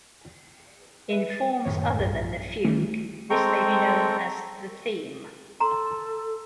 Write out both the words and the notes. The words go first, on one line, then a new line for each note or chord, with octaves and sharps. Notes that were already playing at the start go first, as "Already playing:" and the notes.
In forms other than the fugue this may be known as the theme.
B4 E5
A6
F#2 A2 D#3 C#5
B1 G2
D#3 E3 G3 A3 C#4
G#3 C4 A4 G5 A#5 C#6
A4 A#5 C6